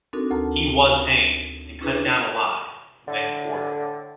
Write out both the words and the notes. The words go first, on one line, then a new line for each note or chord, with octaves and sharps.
He was hanged and cut down alive, then quartered.
C4 D4 D#4 F#4 A4 A#4
D2 A4 A5 A#5
C#4 D4 E4 G#4 B4
A2 D3